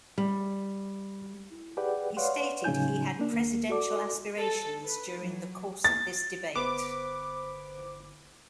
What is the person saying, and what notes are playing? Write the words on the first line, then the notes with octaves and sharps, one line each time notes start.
He stated he had presidential aspirations during the course of this debate.
G3
G4 G#4 B4 D5 F#5 G5
B4 C#5 D5 F5 F#5 C6
A2 C#3 F#3 D#4 G#5 G6
A#3 D4
D#2 A#3
F#4 A4 D5 D6
A4
B4
F#3
A6
G1 B3 C5 D6